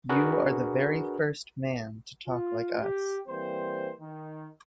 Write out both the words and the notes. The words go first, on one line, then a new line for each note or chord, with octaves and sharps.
You are the very first man to talk like us.
D4 F#4 G#4 A#4 B4
F4
G4
E3 G3 A#3 C4 C5
D#3